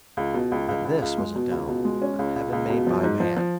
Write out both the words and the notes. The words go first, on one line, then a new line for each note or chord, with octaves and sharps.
But this was a dome of heaven made by man.
C#2
B2
C#2
C#2
C#2
C#2
G#3
B2
C#2
B2
G#3
C#4
C#2
C#2
C#2
B2
F3
G#2
F3
F3